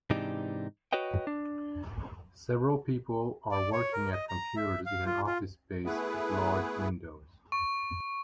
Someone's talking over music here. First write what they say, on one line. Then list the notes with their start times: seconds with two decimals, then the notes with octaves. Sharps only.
Several people are working at computers in an office space with large windows.
0.10 G#2 C3 E3 D4 D#4 G4
0.93 F#4 B4 C#5 D#5 G5
1.27 D4
3.51 D5
3.73 C#5
3.93 A#4
4.13 D#5
4.29 A#5
4.57 E5
4.86 F5
5.06 F4
5.27 F4
5.85 A3 B3 E4 G#4 B4
7.52 C#6